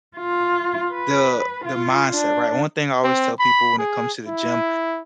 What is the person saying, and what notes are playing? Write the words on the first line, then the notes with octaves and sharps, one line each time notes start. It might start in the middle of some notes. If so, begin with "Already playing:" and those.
the the mindset. Right? One thing I always tell people when it comes to the gym,
F4
B4
F4
D4
C4
B5
G#4
E4